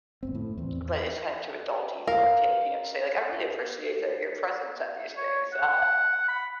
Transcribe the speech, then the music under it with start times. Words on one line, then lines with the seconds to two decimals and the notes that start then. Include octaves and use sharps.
but it's kind of too adulty for a kid, you know, to say, "I really appreciate that your presence at these things," uh,
0.23 G1 F#2 C4
0.35 A2
0.58 E2 C4
2.07 A#4 F5
5.17 C#5
5.53 F#5
6.28 B5